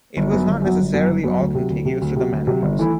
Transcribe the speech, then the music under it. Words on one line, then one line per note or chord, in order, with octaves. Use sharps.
It was not necessarily all contiguous to the manor house.
G1
F#2 F#3 B3 F#4
G1
F#2 F#3 B3 F#4
G1
F#2 F#3 B3 F#4
G1
F#2 F#3 B3 F#4
D2
C3 F#3
D2
C3 F#3
D2
C3 F#3
D2
C3 F#3
G1
E3 A3 E4